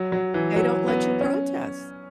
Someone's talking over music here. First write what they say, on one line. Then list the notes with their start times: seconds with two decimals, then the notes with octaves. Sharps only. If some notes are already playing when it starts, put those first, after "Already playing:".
They don't let you protest.
Already playing: F#3
0.12 F#3
0.34 E3
0.56 F#3
0.88 B3
1.21 C#4